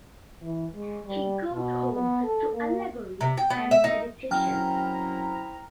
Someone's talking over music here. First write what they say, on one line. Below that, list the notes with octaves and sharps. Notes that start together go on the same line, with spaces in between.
He goes home to allegory and meditation.
E3
G#3
G3
B2
B3
A4
A#3
C3
G5
B3
E5
D#4
F#2 C4 E4 G5 A#5 F6